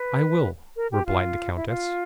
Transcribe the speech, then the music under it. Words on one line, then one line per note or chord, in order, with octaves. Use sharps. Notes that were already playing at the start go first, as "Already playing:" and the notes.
"I will," replied the countess.
Already playing: B4
A#4
G4
F4
E4
F4